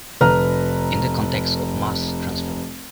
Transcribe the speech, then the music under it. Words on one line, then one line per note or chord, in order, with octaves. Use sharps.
In the context of mass transfer.
F1 B4 A#5 F6